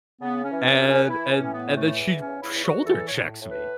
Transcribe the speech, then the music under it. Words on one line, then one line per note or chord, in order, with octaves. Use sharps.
And and and then she shoulder checks me.
C#3 B3
C#4
E3
C#4
F#2
C#4
E3 E4
C#4
A2
B3
E3
A3
E2
C#4
C#3
E4
E2
F#4
E3 A4
C#5
A2
A2
B4